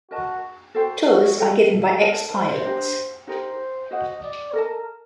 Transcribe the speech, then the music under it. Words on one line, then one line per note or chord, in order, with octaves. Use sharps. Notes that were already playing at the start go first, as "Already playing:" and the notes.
Tours are given by ex-pilots.
F#4 A#4 D#5 A5
F#4 A4 C5 G5
F#4
A4 D#5 G5
A4
A4 A#4 D#5 A5
C5
D4 G4 A#4
D#4 G4 A#4 C5
F#4 C5 D#5 F#5
D5
A4 A#4 D#5 A5